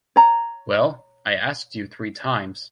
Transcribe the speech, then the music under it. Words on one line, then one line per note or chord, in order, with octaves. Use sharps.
Well, I asked you three times.
C#5 A#5